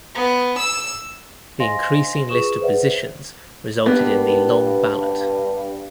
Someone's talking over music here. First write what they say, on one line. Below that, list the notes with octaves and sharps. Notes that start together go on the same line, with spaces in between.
The increasing list of positions resulted in the "long ballot".
B3
E6
C5 D#5 F5 G#5 C6 A#6
F4 G#4 B4 C#6 D#6 E7
G#4 B4 C5 D5 E5 F#5
G2 A#3 B3